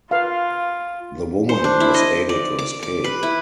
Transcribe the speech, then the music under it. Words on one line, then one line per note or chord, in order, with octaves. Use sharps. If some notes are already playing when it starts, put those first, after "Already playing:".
The woman was able to escape.
F4 B4 F5
C5
D4
E4
D#5
D5
D6
D6
B4
E4